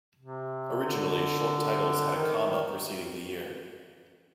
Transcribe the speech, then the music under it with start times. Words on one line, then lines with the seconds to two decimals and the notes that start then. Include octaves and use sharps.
Originally short titles had a comma preceding the year.
0.20 C3
0.84 D3
2.15 D#3